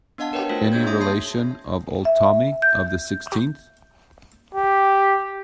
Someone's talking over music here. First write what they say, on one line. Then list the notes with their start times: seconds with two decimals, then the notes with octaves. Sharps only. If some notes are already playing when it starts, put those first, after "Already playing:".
Any relation of old Tommy of the Sixtieth?
0.18 B3 D4 D#5 F5 F#5 A5
0.33 A#4 B4 C#5 D#5 G5
0.49 A3 F4 F#4 C5 B6
0.72 A#3 D4 G#4 C#5 G6 G#6
0.87 E5 D#6 A#6
1.01 D4 A5 C6 G6 C7
2.05 E5
2.62 G6
4.54 G4